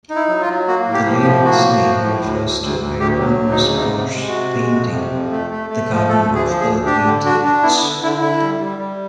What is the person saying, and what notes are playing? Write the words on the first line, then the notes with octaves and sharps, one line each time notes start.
The label's name refers to Hieronymous Bosch's painting The Garden of Earthly Delights.
D#4
E4
F#3
F4
F#3
A#3 F#4
A2
G4
F3
G4
A2
A#3 F#4
F3
A2
A2
D2
D2
D2
D2
D2 G4
F#3
D2
D#4
C#3
C3 D#4
C3
G#3
F#4
C3
G#3
F2
C3
F2
A3
A3
A3
F3
A3 A4
D2
G#4
F3
G#4
D2
D4 G4
D3
D4 F#4
D4
B3 E4
D3
D3 E4
D3 E4
G3
G3
G3